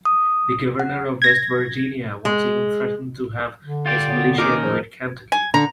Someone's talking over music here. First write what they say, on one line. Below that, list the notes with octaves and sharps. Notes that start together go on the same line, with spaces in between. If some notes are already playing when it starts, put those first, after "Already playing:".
The governor of West Virginia once even threatened to have his militia invade Kentucky.
D#6
F#5
G#6 A#6
G#3
D3
F4 G4 D5
F#3 B3
A#2 D#3 C#4 D#4 A#4 D#5 D6
G#2 F3
G#5
D3 A#5